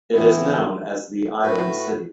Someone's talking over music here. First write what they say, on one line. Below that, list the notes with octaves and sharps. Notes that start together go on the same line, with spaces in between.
It is known as "The Island City".
A2 E3 B3 E4
A2 A3 F#4 B4